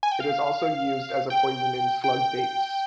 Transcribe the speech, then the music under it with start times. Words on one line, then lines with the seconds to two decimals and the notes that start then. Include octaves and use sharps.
It is also used as a poison in slug baits.
0.03 G#5
0.12 G5
0.20 F5
1.30 G5
2.04 G5